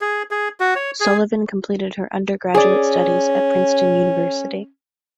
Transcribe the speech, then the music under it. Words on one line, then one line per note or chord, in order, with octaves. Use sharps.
Sullivan completed her undergraduate studies at Princeton University.
G#4
G#4
F#4
C#5
G#4
C#4 G#4 D5